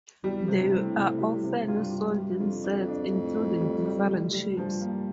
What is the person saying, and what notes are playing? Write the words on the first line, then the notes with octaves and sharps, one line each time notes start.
They are often sold in sets, including different shapes.
E2 G3
F2
C3
G2
C4
A2
C3
G3
C3
G2 F4
F4
G3
F2 F4
D4
D4
A2
A2
G3
G3
G3
G3
G2 F3
A#3